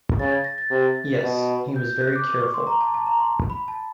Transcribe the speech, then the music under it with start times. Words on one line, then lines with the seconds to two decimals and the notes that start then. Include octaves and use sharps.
Yes, he was very careful.
0.19 C#3 A6
0.31 G#6
0.44 A#6
0.58 A6
0.71 C3
1.23 B2
1.76 G6
1.89 G6
2.01 F#6
2.16 D6
2.28 D6
2.41 C#6
2.54 C6
2.67 A#5
2.81 A5
2.94 A5
3.06 A#5
3.20 C6
3.50 B5
3.68 A5